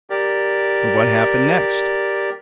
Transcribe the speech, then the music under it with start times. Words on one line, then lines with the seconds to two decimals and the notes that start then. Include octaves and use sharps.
"What happened next?"
0.10 G4 A#4 D5